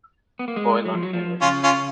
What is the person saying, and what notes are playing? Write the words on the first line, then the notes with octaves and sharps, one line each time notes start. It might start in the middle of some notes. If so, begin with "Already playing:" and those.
Oil On Canvas.
B3
A#3
G#3
F#3
F3
F#3
F3
C#3 C#4 F4
C#4 F4